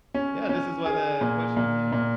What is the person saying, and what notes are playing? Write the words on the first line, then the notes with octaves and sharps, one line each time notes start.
Yeah, this is why the question, you know
C#4
C#4
G#4
A#2
A#2
A#2